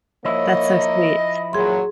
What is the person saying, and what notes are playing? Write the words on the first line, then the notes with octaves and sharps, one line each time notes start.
That's so sweet.
F3 A#3 E4 C#5 D#5
A#2 E3 F#3 G#4 C6